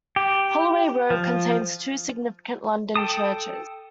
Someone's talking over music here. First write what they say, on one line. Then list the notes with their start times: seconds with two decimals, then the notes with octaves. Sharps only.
Holloway Road contains two significant London churches.
0.16 G4
1.10 F3
2.96 A4 G5 A5 D#6